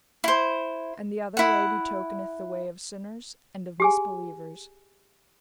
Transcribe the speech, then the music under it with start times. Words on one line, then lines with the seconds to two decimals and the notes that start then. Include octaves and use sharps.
And the other way betokeneth the way of sinners and of misbelievers.
0.24 E4 C5
1.37 E4 F#5
3.80 G4 G#4 G#5